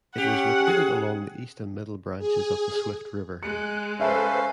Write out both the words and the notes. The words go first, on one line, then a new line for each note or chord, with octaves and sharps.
It was located along the East and Middle branches of the Swift River.
C#4 G4 F#5
G#4
G#4
G#3 F#6 C#7
C#4 A4 B4 C5 E5 F5